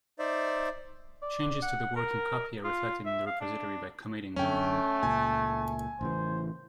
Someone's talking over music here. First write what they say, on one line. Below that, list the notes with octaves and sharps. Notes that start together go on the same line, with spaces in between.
Changes to the working copy are reflected in the repository by "committing" them.
D#4 C5 D5 E5
D5
F#5
A#4
F4
E5
F5
D4
F#2 D3 A3 C#4 G5
C#2 A#2 G#5
A1 C#3 E3 C5